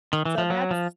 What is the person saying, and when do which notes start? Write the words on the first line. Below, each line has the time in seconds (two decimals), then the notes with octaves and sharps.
so, that's
0.13 D#3
0.25 E3
0.38 F3
0.50 F#3
0.71 F3